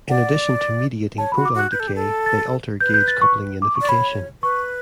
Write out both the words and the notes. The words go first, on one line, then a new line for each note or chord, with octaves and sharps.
In addition to mediating proton decay, they alter gauge coupling unification.
D5 F#5
C#5 A5
B5
F#4
D6
F#4 F#6
B4 G6
A4
G4
A4
A6
B4 G6
G6
A6
C#6
D6
C#6
D5
C#5 B5
B4 C#6